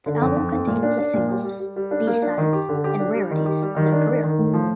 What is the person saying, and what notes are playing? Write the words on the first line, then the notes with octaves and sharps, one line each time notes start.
The album contains the singles, b-sides and rarities of their career.
D3
F2
F2
F2
A#2
D4
D4
A#2
G4
G3
G3
G3
D4
A#3
D4
D#3
G4
D3
G4
D4
G3
D#3
G4
G3
D#3
D4
D#3
D#3
A2
F3